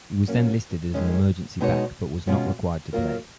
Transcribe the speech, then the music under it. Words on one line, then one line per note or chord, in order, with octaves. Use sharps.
He was then listed as an emergency back but was not required to play.
F#3 A#3 C#4
F#2 D#3 G#3 C#4
B2 G#3 D#4 F#4 C#5
B2 G#3 C#4 F4
F#3 A#3 F4 A#4